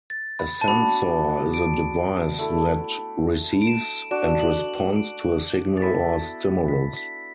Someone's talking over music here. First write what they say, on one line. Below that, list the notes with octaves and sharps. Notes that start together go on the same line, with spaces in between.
A sensor is a device that receives and responds to a signal or stimulus.
A6
B5
A5
B3 D4 F#4 D5 B5
D7
A3 E4 A4
D7
E7
D4 F#4 D5 E7
F#7
F#7
D7
A6
B3 E4 A4 E5 B6
B6
B6